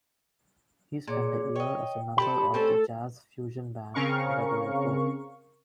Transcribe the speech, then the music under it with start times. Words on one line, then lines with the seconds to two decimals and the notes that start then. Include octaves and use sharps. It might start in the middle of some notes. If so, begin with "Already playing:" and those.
He spent a year as a member of the jazz fusion band, Weather Report.
1.07 A#2 G#4 C#5 D6
1.56 C#5 D#5 G5
2.18 G4 A4 C5 B5
2.54 A3 C4 C#4 A4 C5
3.94 C#3 C4 C#4 A#4 F5 C#6